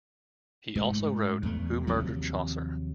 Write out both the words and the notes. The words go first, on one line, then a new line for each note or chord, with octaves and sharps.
He also wrote Who Murdered Chaucer?
G#2 A3
E2 A3
D#2 C3 F3 F#3